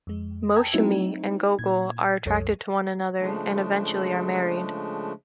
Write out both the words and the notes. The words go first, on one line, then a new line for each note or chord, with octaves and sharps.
Moushumi and Gogol are attracted to one another and eventually are married.
F2 G#3
G5 A5 A#5 E6 G#6
F#3 A3 C4 D#4 E4 F#4
A#2 G#6
C2 F#2 A4 C#5
C#3 F3 G#3 A3 D4